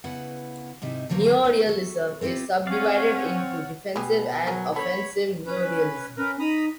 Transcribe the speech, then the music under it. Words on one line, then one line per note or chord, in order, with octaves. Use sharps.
Neorealism is subdivided into defensive and offensive neorealism.
C#3 B3 E4 B4 F#5
G#2 C3 D#4 E4
E2 D3 F#3 A#3 C5
B3 D#4 C5 C#5 F5
F#4 A4
B3 C4 E4 F4 G4
C4 C#4 C#5 D5 F5 F#5
B2 G4 G#4
F#3 F#4 G#4 A#4
D3 B3 A4 C#5 B5
C#4 B4
C#4 A#4 B4
D#4 A#5 B5 D#6